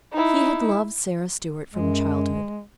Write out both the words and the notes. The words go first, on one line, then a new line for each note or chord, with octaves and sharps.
He had loved Sara Stuart from childhood.
D#4 E4
F#2 G#3